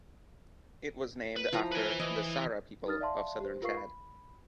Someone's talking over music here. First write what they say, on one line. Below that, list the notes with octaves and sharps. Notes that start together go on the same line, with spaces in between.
It was named after the Sara people of southern Chad.
B4
F3 E4 A#5
B4 G#5
E3 D#5
D#4 A#4 D#6 F6 A6
D5 E5 F5 A5 C6
G4 C5
F4 A#4 B4 F5 C#6 C7
B5